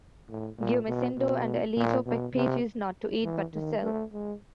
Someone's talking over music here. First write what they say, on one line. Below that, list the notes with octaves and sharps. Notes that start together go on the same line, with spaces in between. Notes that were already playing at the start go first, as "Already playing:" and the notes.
Gumecindo and Alejo pick peaches, not to eat, but to sell.
A2
A#2
B2
B2
A#2
B2
C3
E3
D#3
A3
G#3